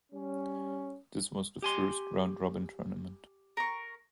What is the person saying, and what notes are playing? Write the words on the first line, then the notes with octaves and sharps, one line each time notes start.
This was the first round-robin tournament.
G3 C#4
G4 G#5 C6
A#4 C#6